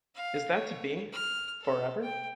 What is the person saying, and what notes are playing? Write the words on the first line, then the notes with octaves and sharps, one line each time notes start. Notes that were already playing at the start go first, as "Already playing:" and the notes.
Is that to be — for ever?
F5
C#5
F6
A4
G5